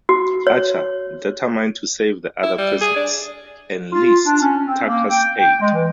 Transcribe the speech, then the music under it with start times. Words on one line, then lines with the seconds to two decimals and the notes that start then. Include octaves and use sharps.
Archer, determined to save the other prisoners, enlists Tucker's aid.
0.09 F#4
0.47 C#5
2.43 E4
2.58 G3
2.81 G#4
2.96 D4
3.92 F4
4.25 D4
4.41 C#4
4.66 C4
4.87 A#3
5.10 G5
5.38 G5
5.60 G#3
5.74 E3